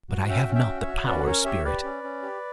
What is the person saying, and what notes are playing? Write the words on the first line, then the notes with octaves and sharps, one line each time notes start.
But I have not the power, Spirit.
F#4
C#4 E5 G5
C#4
E5 G5
F#4
C#5 E5
F#4
C#4 B4 D5
C#4 A#4 C#5
G4 C#5 E5
G4 B4 D5
C#4
C#4
G4